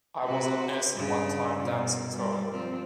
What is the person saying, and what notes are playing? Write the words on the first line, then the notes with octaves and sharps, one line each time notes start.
I was on acid one time dancing to it.
C3 F#4 B4
G2 C#3
B2
G3
F3 C4